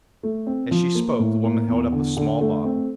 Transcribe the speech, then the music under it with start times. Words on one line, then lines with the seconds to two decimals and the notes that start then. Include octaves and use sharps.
As she spoke the woman held up a small bottle.
0.23 A3
0.46 C4
0.71 F3
0.95 A#3
1.20 A2
1.44 A#3
1.68 E2
1.92 D3
2.17 D3
2.41 A3
2.65 C4